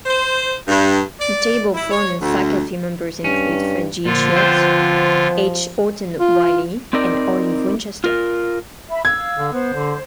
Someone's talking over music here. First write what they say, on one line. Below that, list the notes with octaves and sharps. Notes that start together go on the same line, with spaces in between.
Notable former faculty members include Fred J. Shields, H. Orton Wiley, and Olive Winchester.
C5
G2
D5
E4
C#5
D2
G2 C#4
A#2 D3 F3 F4
B3 C4 C5
F4
C4 D#4 A#4 D5
F4 A#4
E5 B5
F5 E6 G#6
D3
B3 C5
D3